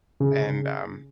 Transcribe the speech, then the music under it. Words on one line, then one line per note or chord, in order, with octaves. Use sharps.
and, um
C#3